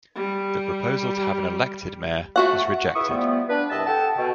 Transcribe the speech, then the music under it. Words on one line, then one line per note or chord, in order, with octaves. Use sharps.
The proposal to have an elected Mayor was rejected.
G3
A3 F#4 F#5
C#2 E4 B4 E5 C#6 D#6
F3 G3 A3 B3
D4 B4
C2 G2 D#5 E5 A5
A4 F#5 G5 A5
B2